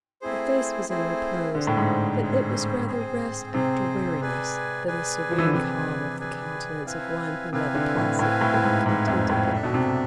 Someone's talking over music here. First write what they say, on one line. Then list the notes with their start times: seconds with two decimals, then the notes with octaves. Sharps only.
The face was in repose; but it was rather rest after weariness, than the serene calm of the countenance of one who led a placid, contented life.
0.22 A3 C4 E4 G#4 C5
0.89 A3 C4 E4 G#4 C5
1.54 D3 C4 G#4 C5
1.67 A2
1.77 G#2
2.21 C4 G#4 C5
2.87 C4 G#4 C5
3.54 C3 C4 G#4 C5
4.20 G#4 B4 D5 G#5
4.87 G#4 B4 D5 G#5
5.31 F3
5.38 E3
5.45 D3
5.53 C3 G#4 B4 D5 G#5
6.20 G#4 B4 D5 G#5
6.86 C4 E4 B4 F5 G#5
7.53 C3 C4 E4 B4 F5 G#5
7.75 D3
7.97 A2
8.19 A2 C4 E4 B4 F5 G#5
8.41 A2
8.54 A2
8.63 G#2
8.85 G#2 C4 E4 B4 F5 G#5
9.08 F2
9.30 A2
9.53 D4 A4 E5
9.63 B2
9.74 C3